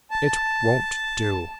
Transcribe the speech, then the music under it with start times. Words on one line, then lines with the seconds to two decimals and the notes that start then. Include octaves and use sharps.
It won't do.
0.11 A5